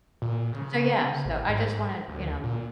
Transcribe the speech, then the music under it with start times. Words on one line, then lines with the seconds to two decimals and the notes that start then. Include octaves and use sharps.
so yeah, so, I just wanna, you know,
0.22 A#2
0.53 C#3
1.25 A1
1.49 G#2
2.08 D2
2.44 A#2